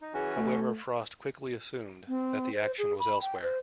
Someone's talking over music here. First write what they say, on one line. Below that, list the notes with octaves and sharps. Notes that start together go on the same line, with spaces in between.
However Frost quickly assumed that the action was elsewhere.
D#4
E3 C#4 F#4 G#4
A3
C4
C5
G#4
B5
G5
C5